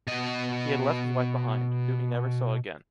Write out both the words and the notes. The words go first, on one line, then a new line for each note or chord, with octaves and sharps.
He had left his wife behind, whom he never saw again.
B2 D#5